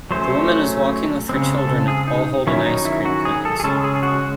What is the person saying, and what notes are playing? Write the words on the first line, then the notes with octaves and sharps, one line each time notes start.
The woman is walking with her children all holding ice cream cones.
F#3 A3 C#4 C5
C#3 G#3 C4
A4
G#4
D#4
D#3 F#3 C#4 E4
D#4
E4
F#4
G#4
A4
G#4
C#3 G#3 C#4 A4
G#4
G#4
F#4